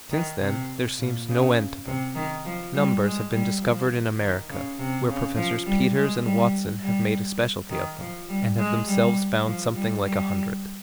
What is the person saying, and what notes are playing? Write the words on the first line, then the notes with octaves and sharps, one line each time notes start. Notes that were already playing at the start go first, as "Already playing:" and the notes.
Since then there seems no end to them; numbers have been discovered in America, where Professors Peters and Watson have made a specialty of them, and have themselves found something like a hundred.
D#3
C3
A#2
C#3
C3
D#3
F3
G3
G#3
G3
F3
D#3
C#3
C3
C#3
F3
G3
G#3
G3
G3
D#3
F3
G3
G#3
G3
F3
G3
G3